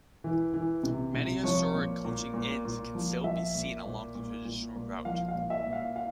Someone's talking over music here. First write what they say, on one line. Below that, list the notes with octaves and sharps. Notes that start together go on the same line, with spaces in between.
Many historic coaching inns can still be seen along the traditional route.
E3
E3
C3
C3
F3 C#5
A#2
A#2
A#2
A#2
F3
F3 E5
A#2
A#2
A#2
A#2
A#2
F3 F5
F5
A#2
E5
A#2
F5
F5